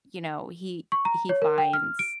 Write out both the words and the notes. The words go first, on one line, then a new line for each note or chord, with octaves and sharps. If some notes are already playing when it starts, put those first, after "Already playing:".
you know, he he finds
C#6
A#5
C#5
A#4
G5
F6
D7